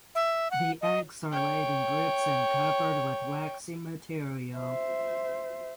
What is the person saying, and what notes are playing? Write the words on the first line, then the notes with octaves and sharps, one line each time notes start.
The eggs are laid in groups and covered with waxy material.
E5
F#5
D#5
C#5 G5
C5 E5